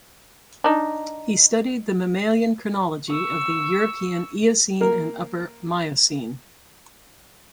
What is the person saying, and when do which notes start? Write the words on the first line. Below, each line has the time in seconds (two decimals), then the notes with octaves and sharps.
He studied the mammalian chronology of the European Eocene and Upper Miocene.
0.64 D4 D#4
3.09 C#6 E6
4.81 A#3 A#4